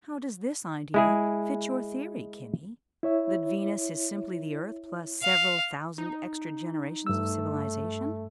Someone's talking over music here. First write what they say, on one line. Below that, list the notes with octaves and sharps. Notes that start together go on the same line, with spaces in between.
"How does this idea fit your theory, Kinney--that Venus is simply the earth plus several thousand extra generations of civilization?"
G#3 E4 G#4
E4 C#5 E5
F5
D#4
G2 A3 E6